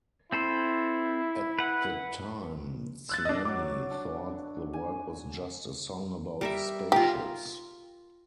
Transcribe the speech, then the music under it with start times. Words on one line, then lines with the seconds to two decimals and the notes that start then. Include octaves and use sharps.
At the time, Ciani thought the work was just a "song about spaceships".
0.32 C4 E4 A4 C5
1.59 B4 F#5
3.09 E6 F#6 A6
3.25 D4 D#5
3.45 F#3 F#4 C#5 D6
3.91 D4
4.73 G#5
6.41 G3 A#4 E5
6.92 F4 G4 A#4